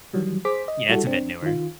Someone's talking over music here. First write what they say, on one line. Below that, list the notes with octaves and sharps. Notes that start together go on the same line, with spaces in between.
Yeah, it's a bit newer.
D#3 E3 F#3 G3
G#4 C5 D6 B6
D#5
G3 E4 F#4 A4
C4 D4
D#3 F4